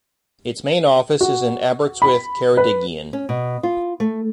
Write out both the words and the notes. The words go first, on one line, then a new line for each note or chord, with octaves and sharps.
Its main office is in Aberystwyth, Ceredigion.
F#4
B5
B4
C#4
B2
F4
A3